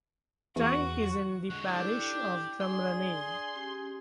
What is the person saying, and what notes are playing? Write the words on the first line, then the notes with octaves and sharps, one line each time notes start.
Tang is in the parish of Drumraney.
E2 F#4
D3 G#3 F#4
D4 E4 G4 A4
D4 G#4 D5 C6 D#6
C#4 G4